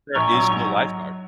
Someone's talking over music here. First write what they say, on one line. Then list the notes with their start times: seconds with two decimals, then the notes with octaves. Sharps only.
There is no lifeguard.
0.15 A#1 A#5 C#6
0.33 F#3
0.51 G#2
0.68 F#3